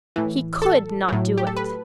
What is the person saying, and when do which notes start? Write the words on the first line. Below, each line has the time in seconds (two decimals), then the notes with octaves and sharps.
He COULD not do it!
0.16 A2 E3
0.62 A4
1.09 A2 F#3
1.38 G4
1.47 A4
1.57 B4